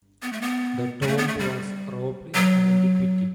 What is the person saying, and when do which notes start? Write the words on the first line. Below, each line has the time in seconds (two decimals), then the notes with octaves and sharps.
The tomb was robbed in antiquity.
0.22 B3
0.33 A3
0.41 B3
1.02 G3
1.07 A3
1.18 B3
1.28 A3
1.39 G3
2.35 F#3